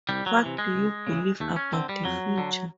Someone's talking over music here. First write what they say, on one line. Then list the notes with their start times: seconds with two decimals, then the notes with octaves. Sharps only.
What Do You Believe About The Future?
0.09 C2 G3
0.26 F#3
0.43 C3 E3
0.58 G#3
0.75 C#2
1.07 C#3 E3
1.40 D#2 A3
1.56 C#4
1.73 D3 C4
1.89 G3
2.05 F2 F#3
2.38 D3